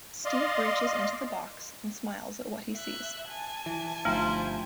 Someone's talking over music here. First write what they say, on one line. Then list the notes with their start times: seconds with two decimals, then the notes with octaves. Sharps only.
Steve reaches into the box, and smiles at what he sees.
0.25 D5 D#5 F5 C6
2.73 E5 F#6
3.28 G#5 A5
3.66 E3
4.05 G1 F3 A3 D#4 E4 C5 G5